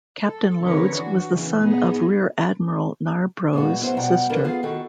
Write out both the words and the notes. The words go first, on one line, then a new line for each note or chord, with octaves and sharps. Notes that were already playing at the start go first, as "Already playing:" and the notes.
Captain Loades was the son of Rear Admiral Narbrough's sister.
A4
D3 C4 A#4 B4 C#5
E3 D4 F#4
A#2 C#3 E3
B3 D#4 G#4
A#2 G#3 B3 F#4
F#3 B3 E4 G#4 C5
B2 F#3 G3 F#5 G5 A#5
D3 F3 F#4 A#4 B4 A5
B3 F4 G#4 B4
D#3 F#4 A4